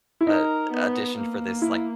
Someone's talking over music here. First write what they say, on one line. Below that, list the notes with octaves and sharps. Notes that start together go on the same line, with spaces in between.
a addition for this like
E4
D#4 A#4
B3
A#3
E4